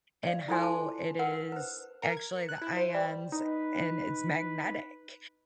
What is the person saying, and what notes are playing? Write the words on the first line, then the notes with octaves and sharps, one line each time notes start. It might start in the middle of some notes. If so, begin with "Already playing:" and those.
and how it is actually the ions a and it's magnetic.
D5 F5
E4 F4 A4 C5 G#5 C6
A5 D6
A#4 B4 F#5
B4 C5
A#4
G#6
C#7
F#6
E4
C5
G3
D#4 B4